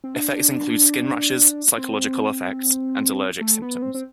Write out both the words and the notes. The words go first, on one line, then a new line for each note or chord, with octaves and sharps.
Effects include skin rashes, psychological effects, and allergic symptoms.
C4
D4
C4
A3
B3
C4
C4